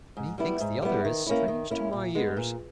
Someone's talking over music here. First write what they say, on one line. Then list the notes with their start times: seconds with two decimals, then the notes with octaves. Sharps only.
Methinks the other is strange to my ears.
0.17 G#2
0.38 G3 B3 E4
0.60 G#2
0.82 G3 B3 E4
1.05 D#3
1.27 A#3 C#4 E4
1.48 D#3
1.71 A#3 C#4 E4
1.93 A#2
2.15 G#3 B3
2.37 A#2